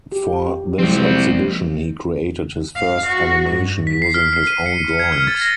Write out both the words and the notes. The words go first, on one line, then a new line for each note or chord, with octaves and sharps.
For this exhibition, he created his first animation using his own drawings.
G4
C2 F3 F#3 G#3 C4
A#3
F5
F#4
G2
B6
C7
F6
C7
D#7
C#7
C#7
G#6
F6
A6
A#6